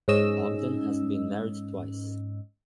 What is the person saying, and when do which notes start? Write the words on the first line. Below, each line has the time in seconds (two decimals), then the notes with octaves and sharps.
Ogden has been married twice.
0.08 G#2 C#4 D#5 E6